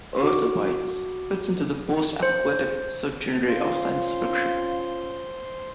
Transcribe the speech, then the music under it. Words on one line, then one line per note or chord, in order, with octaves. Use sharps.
"Earth Abides" fits into the "post-apocalyptic" subgenre of science fiction.
F#4 D6
C5
C#4 F4 C5 F5 C6